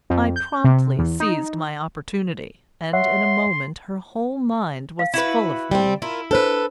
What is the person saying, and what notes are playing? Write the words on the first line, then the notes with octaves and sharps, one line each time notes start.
I promptly seized my opportunity, and in a moment her whole mind was full of me.
F2
G6
C3
E2
D#4
C#5 E5 F#5 C6
F5
E4 F#4 B4
G3 C4
E4 F4 A#4
D4 A4 B4 C5